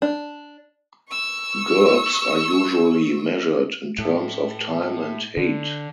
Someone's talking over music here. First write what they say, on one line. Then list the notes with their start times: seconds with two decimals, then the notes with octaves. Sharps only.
Gerbs are usually measured in terms of time and height.
0.02 D4
1.09 C#6 E6
3.98 A2
5.37 D3